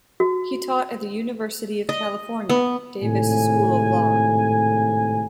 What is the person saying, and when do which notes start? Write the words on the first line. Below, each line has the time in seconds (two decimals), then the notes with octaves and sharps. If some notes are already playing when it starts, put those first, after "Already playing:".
He taught at the University of California, Davis School of Law.
0.20 F#4
1.89 D#5
2.49 B3
3.03 G#1 A2 C3 A4 G#5